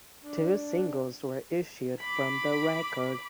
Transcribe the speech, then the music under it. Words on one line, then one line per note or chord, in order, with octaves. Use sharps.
Two singles were issued from the record.
D4
B5 D6